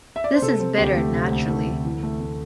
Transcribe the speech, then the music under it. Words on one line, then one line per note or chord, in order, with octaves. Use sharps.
This is bitter naturally.
E5
D5
C5
C3 A4
C4
D2 G4
A3
C3
D2
A3
D2
E3
A3
A3